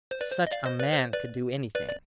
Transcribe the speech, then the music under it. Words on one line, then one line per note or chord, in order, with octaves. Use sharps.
Such a man could do anything.
C5
B4 D5
C5
D#5
D5 F5
C5 D#5
B4 D5
C5
B4 D5
B4 D5
D5